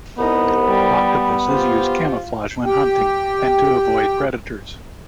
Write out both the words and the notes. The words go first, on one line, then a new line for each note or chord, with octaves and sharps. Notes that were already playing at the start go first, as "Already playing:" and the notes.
Octopuses use camouflage when hunting, and to avoid predators.
C2 B3 D#4
G3
F4 G4 C5
G4 G5